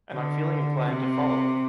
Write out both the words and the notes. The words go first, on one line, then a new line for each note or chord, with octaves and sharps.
And I’m feeling inclined to follow them.
D3
C3